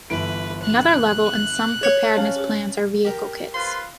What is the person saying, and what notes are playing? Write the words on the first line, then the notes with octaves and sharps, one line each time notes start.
Another level in some preparedness plans are Vehicle Kits.
G1 E3 B4 D7
F#6
C#5
C#4 F5 A5
G4 A#4
F4 B4 C5 C6